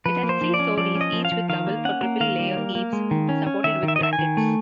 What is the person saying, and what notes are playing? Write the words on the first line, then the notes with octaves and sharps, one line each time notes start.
It has three stories, each with double or triple-layer eaves supported with brackets.
F3 B4
A#3
C5
F3
D5
C#4
F3 D5
C#4
D#5
F3
F5
F3
D#3 F5
A#3
C#4 F#5
A#3
D#3 F5
G3
A#3
A#3
G#3
D#3
C#4
C#4
D#3 E5
D#3
E5
D#5
D#3 E5
G#5
D#3
A3